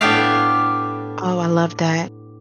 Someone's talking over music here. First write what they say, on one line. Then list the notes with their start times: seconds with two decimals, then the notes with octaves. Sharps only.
Oh, I love that,
0.01 A2 B3 D4 G4 E5 F5